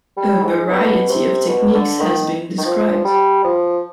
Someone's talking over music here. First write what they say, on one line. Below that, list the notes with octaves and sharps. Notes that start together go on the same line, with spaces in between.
A variety of techniques has been described.
G3
G#2
B2
C3
B2
D3
D#3
D#3
F3
G3
F3